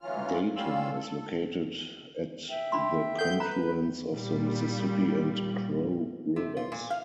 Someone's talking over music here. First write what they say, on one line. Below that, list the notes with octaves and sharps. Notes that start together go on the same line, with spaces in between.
Dayton is located at the confluence of the Mississippi and Crow Rivers.
D2 E3 F#3 C#4 F4 F6
G3 C#4 F4 F5 E6
A4
E5 G5
D4 B5 C6
A4 F#5 G6
B4 A#5
A#2 G3
C3
F4
A#2
F5